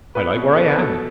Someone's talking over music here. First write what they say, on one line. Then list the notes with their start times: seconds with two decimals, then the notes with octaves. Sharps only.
I like where I am.
0.15 B3 B4
0.36 B2
0.56 B3 A4
0.70 B4
0.78 B2 A4